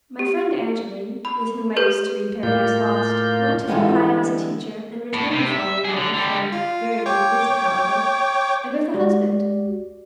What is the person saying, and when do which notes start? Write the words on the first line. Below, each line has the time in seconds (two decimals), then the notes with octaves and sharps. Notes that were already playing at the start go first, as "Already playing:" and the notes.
My friend Angeline, with whom I used to read "Paradise Lost," went to Ohio as a teacher, and returned the following year, for a very brief visit, however,--and with a husband.
0.19 G4
1.25 B5
1.76 G4 A4 B4 G6
2.43 A2 A#3 F4 G6
3.67 D3 E3 G3 G#3 B3 D4
5.13 A2
5.32 C3
5.52 E5
5.85 D4 G#4
5.97 D3
6.14 D3 G3
6.52 F4
7.06 C#5 G5 D6
8.94 G#3 F#4 G4 D5